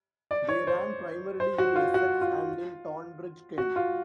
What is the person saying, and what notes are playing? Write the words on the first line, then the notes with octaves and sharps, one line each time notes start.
They ran primarily in Essex and in Tonbridge, Kent.
D5
C#5
C5
C5
F#4
F4
F#4
F4
F#4
F4